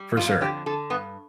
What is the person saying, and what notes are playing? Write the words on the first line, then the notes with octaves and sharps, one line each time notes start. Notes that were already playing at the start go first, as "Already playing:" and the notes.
for sure,
Already playing: G3
F2 F4
D3 G4
D3 A4
G2 B3